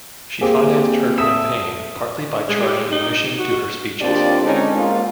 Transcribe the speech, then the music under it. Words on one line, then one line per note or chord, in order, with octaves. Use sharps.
She financed her campaign partly by charging admission to her speeches.
A#3 C4 G4 G#4
A4 E5 D#6 E6
G#3
G4
D#4
F#4
D#2 C4 D4 F4 G4 D5
D3 G#3 C4 C#4 D#4
G#2 A#3 F4